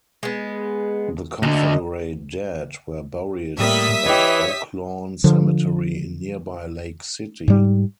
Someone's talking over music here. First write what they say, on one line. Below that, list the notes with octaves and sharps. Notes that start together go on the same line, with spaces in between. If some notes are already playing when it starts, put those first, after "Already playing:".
The Confederate dead were buried at Oaklawn Cemetery in nearby Lake City.
G#3 B3
D2 D3 D#5
A2 G3 A#3 E5 D#6 B6
E3 G4 C#5 D#5
D3 F3
G#2 G3